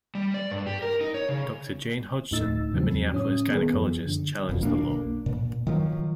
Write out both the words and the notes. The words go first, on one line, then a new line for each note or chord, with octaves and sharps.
Doctor Jane Hodgson, a Minneapolis gynecologist, challenged the law.
G3
D5
G2
G4
A#4
D#4
C#5
C#3
D2 A2 A3 D#4 E6 A6
E2 C#3 F3 F#3 C4
A2 C#4 D#6
D#3 B3 G#4
F#2 F3
D3
D#1 F2 B2
B1 A#3 C4 D4
A#2
D#3 F3 F#3